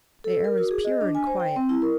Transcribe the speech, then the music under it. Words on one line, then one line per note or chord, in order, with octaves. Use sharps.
The air was pure and quiet.
A4
A#4
F#4
G#4
D#5
D4
G#5
C5
G5
C4
E4
A#4